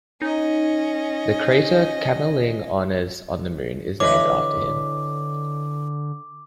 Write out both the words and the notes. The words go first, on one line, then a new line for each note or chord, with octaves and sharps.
The crater Kamerlingh Onnes on the Moon is named after him.
C#4 D#4 D#5
D3 E3 B4 C#5 D#5 D6